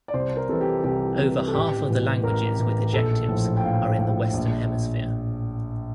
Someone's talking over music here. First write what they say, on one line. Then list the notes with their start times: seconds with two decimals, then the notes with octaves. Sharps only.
Over half of the languages with ejectives are in the Western Hemisphere.
0.08 D5
0.14 C2 C5
0.37 A#4
0.49 C3 E3 A4
0.61 G4
0.84 C2 G4
1.19 C3 E3
1.48 A4
1.53 A1 G4
1.89 A2 E3
2.23 A1 A#4
2.59 A2 E3
2.93 A#1 A4
3.29 A2 F3
3.57 G5
3.63 A#1 F5
3.99 A2 F3
4.33 A#1